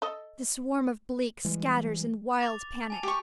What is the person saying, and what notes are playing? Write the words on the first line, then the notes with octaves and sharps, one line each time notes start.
The swarm of bleak scatters in wild panic.
A4 D#5
E3 G3 G#3
D6 A6 F7
G#5 A5 F7
G4 C#6